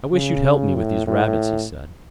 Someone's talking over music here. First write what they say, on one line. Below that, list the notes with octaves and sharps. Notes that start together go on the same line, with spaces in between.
"I wish you'd help me with these rabbits," he said.
C#3
A2
A2